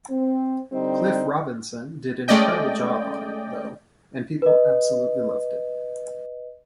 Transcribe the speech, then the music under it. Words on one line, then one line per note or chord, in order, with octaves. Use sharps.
Cliff Robinson did an incredible job on it, though, and people absolutely loved it.
C4
D3 G3 C4 D#4
G#3 A3 C#4 D5 D#5 G5
B4 D#5